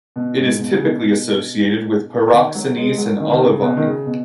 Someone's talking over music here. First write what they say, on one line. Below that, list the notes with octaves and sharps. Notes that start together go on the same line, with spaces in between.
It is typically associated with pyroxenes and olivine.
B2
G#2
B2
C#3
B2
D#3
F#3
G#3
G#3
F#3
D#3
D#3
C#3
B2
D#3
C#3
B2